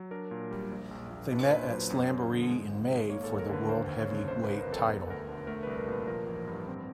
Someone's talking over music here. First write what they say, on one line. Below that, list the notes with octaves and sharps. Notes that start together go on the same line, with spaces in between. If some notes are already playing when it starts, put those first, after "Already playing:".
They met at Slamboree in May for the World Heavyweight Title.
Already playing: F#3
D4 A#4
A#2
G3
A#1
A#1
A#2
D4 B4
C5
A#2 B4
C5
F#3
F#2
F#2
D3
G#3
G#1
G#2
A#3 C#5
A4
D#2
A#4
D3 B4
D#2 C5
D#2
C#5
C#3
G1 C5
G1 B4
A#4
F2 A4
B3 A#4
A4
D2 A#4
D3
A3 A#4
C2 B4
A#4
A#2 B4
F3 A#4
A1
G2
C4